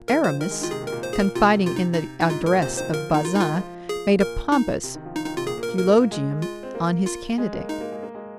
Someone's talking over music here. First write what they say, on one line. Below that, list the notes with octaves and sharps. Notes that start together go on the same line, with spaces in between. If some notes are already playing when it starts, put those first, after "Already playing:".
Aramis, confiding in the address of Bazin, made a pompous eulogium on his candidate.
Already playing: A#2
D#3 A#4
F3 C5
D#3 A#4
G#3
D#3 F4
C3 G#4
A#2
A#4
A#2
C5
G#4
A#4
C3 F4
C3 F4
D#4
D#4
D#4
G#2 F4
G#2
A#4
A#2
C3 C5
D#3 C5
F3 A#4
A#3 D#4
A#3 F4
D#4
G#3 F4
F3
G#4
A#2 A#4
D#4
C3
D#3
F3
D#3 D#4
D#3 D#4
C3 F4
A#2 G#4
A#3
A#4
A#3
A#3 A#4
A#3
A#3
G#3
F4
C4
A#3
F4
G#3
A#3
G#3 D#4
A#3
G#3
A#3
G#3